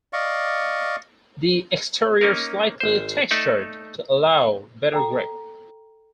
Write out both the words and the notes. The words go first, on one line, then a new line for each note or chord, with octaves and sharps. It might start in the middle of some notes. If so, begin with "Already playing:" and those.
The exterior's slightly textured to allow better grip.
D5 D#5 F5 C#6
A#3 C#4 D#4 A#4
G#1 C5
A3 D#4 A4 D5 E5
A4 G5 A#5